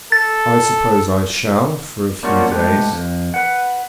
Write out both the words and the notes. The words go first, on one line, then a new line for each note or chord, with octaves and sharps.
"I suppose I shall, for a few days."
A4 A6
G3 A3 A#3 C#4 F4 F#4
G#2 A3 G4 B4
F2
B4 F#5